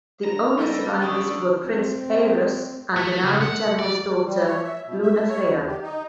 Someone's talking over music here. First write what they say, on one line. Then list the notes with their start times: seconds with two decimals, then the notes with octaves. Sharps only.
The only survivors were Prince Arus and an army General's daughter, Lunafrea.
0.25 C#3 B3 D4 A#5
0.59 G3 C#4 A4 D#5
1.03 D3 C#4 C#6 D#6
1.66 C4
2.97 A3
3.23 C#3
3.42 F#5
3.79 D5
4.26 G3
4.46 C#5
4.63 E5
4.86 B2
5.02 E5
5.29 C#5
5.51 E2
5.67 G4
5.82 D#4